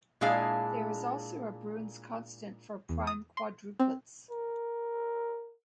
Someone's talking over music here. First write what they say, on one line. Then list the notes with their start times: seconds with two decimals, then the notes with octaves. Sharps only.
There is also a Brun's constant for prime quadruplets.
0.21 A#2 G#3 D4 E4 G#4 F5
2.89 E2
3.07 D#6
3.37 C6
3.79 C4
4.31 A#4